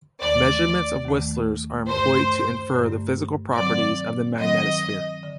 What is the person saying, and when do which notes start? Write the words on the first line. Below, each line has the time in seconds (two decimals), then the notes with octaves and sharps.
Measurements of whistlers are employed to infer the physical properties of the magnetosphere.
0.21 D#2 D#3 A3 D5
1.05 D#2 D#3 A3
1.89 G2 D3 A3 C5
2.72 G2 D3 A3
3.56 D#3 F#3 C4 D5
4.40 D#3 F#3 C4 D#5
5.23 D3